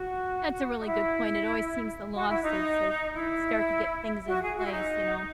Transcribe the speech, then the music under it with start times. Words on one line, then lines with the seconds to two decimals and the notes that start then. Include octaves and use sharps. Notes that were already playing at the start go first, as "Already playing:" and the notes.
That's a really good point, it always seems the lawsuits, they start to get things in place, you know
Already playing: F#4
0.80 D#4
0.86 E4
2.14 F#4
2.28 E4
2.42 D#4
3.14 E4
4.27 F#4
4.42 G#4
4.56 F#4
4.65 E4
4.70 D#4